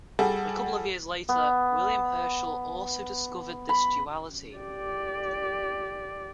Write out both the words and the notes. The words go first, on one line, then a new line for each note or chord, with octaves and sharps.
A couple of years later, William Herschel also discovered this duality.
G3 F#4 G#4 A4
B3
B5
G4 D5